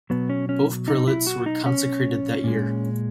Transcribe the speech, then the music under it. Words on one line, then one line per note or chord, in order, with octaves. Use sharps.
Both prelates were consecrated that year.
B2 F#3 B3
C#4
C#4
D#4
E4
F#4
D#4
C#4
A#2 G#3